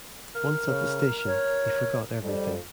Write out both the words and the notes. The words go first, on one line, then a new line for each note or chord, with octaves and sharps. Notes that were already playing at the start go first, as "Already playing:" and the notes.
Once at the station, he forgot everything.
A#4 F6
C#3
C#5
F2 G3